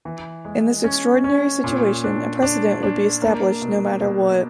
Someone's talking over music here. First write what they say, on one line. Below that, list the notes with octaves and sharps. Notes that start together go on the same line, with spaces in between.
In this extraordinary situation, a precedent would be established no matter what.
E3
G#3
C#4
C#4
A#2
D4
D4
D4
A#3
B2
B2